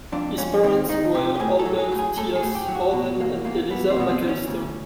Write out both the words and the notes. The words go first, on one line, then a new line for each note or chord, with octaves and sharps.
His parents were Albert Tyas Harden and Eliza Macalister.
F2 D4
F2 C#4
D#3 C4
D#3 D#4
C3 G4
G4
A2 G#4
A4
F#3
G#4
A2
G#4
A2 A4
G#4
A2
G4
F#3
F#4
B2
E2 A#3
E2 A#3
E2 B3
C4
B2 B3
C4
E2
C#4
D2